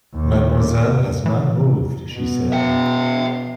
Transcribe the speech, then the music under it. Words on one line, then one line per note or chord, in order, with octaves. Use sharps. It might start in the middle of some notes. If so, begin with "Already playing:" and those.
"Mademoiselle has not moved," she said.
D#2
E3
B2
E5 G5